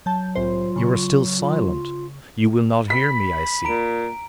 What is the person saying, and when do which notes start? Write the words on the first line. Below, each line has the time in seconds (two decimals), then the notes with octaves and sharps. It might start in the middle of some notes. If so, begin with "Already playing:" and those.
You are still silent? You will not hear me, I see....
0.06 F#3 A5 G6
0.35 C2 A2 F4 C5
0.76 C#3 C#6
1.39 F4
2.90 B5 B6
3.65 A#2 A#5 D7